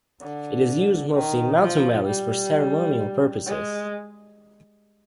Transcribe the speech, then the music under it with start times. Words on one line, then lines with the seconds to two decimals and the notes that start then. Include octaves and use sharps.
It is used mostly in mountain valleys for ceremonial purposes.
0.21 D3
1.14 D#3
1.61 F3
2.07 G3
3.47 G#3